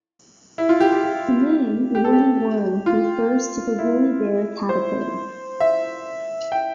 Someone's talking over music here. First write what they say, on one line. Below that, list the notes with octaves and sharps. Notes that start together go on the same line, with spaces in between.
The name "Woolly Worm" refers to the Woolly bear caterpillar.
E4
F4
G4
G4
G4
G4
A4
G4
F4
E4
C5
E5
G5